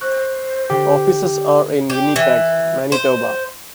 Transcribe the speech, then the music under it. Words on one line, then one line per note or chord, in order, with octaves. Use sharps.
Offices are in Winnipeg, Manitoba.
C5 C#6 F#6
D3 G4
G4
E3
C5